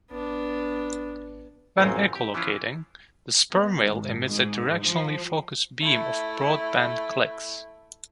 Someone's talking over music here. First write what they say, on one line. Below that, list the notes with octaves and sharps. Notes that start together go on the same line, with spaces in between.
When echo-locating, the sperm whale emits a directionally focused beam of broadband clicks.
G#1 B3 D4
A1 F#2 A#2 C4 C#4 C#5
G4
E3 F3 C#4 E4 F4
B3
G#1
G#2
F3
A3 E4